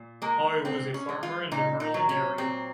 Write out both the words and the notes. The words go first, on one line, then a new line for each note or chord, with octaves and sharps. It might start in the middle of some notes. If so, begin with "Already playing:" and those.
Hoy was a farmer in the Merlin area.
Already playing: A#2
G#3 A#3
A#2 C4
C#4
G#3
F4
A#2 D#4
D#4
F#3
C#4
A#2 C4